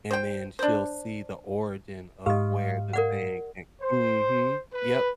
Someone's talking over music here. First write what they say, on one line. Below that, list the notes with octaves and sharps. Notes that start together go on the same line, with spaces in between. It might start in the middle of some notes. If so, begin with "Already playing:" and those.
and then she'll see the origin of where the saying came Mhm, yep,
C5 G5
D4 C5
G#2 G4 D#5 F5
A#4 D5 F#5
C5
B4